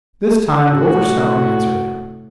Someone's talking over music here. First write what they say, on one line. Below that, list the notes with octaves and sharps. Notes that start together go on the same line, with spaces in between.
This time Wolverstone answered him.
A2 C3 F#4